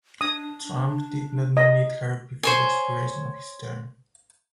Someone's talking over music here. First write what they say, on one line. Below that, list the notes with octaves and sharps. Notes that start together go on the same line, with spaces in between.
Trump did not nominate her before the expiration of his term.
D4 D#6
D#5
C5 C#5 G#5